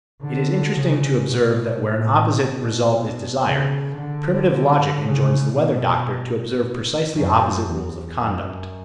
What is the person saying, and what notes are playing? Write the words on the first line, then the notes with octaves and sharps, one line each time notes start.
It is interesting to observe that where an opposite result is desired, primitive logic enjoins the weather-doctor to observe precisely opposite rules of conduct.
D3
C#3
B2
A2
B2
C#3
D3
C#3
B2
F#2
E2
F#2